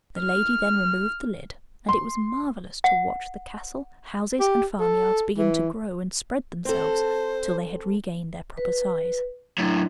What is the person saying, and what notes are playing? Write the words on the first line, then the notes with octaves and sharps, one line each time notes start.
The lady then removed the lid, and it was marvellous to watch the castle, houses, and farmyards begin to grow and spread themselves till they had regained their proper size.
F6
C6
F#5
G4
A4
E3
C4 A4 C5
B4
F#2 A2 D4 E4